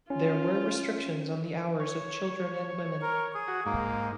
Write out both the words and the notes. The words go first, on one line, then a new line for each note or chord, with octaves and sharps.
There were restrictions on the hours of children and women.
C#4 F4
C#5
A#4
G#4
F#4
G#2 A#3